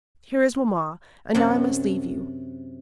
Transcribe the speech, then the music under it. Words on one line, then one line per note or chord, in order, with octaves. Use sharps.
Here is mamma, and now I must leave you.
F#2 C3 F#5 A5